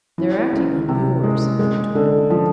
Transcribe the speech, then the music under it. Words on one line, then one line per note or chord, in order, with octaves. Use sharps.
"They're acting on yours," I retorted.
E3
C#2
C3
G#3
G#3
D3
F3